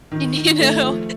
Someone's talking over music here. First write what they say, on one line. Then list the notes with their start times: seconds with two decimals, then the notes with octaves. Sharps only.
y you know
0.11 D#3
0.36 D#3
0.59 A3
0.82 F3